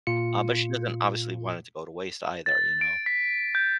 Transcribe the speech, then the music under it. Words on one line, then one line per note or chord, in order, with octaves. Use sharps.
Uh, but she doesn't obviously want it to go to waste either, you know?
A#2 F4 C#7
A6
D7
B6
G6